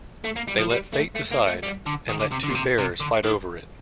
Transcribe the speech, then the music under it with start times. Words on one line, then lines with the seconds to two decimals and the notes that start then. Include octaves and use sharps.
They let fate decide and let two bears fight over it.
0.24 A3
0.36 A#3
0.47 G3
0.58 F3
0.70 G3
0.93 A3
1.16 A3
1.32 A#3
1.47 A3
1.63 G3
1.86 D3
2.09 D#3
2.20 D3
2.32 C3
2.43 D3
2.50 A#2
2.55 C3
2.78 C3
3.00 D3
3.24 D#3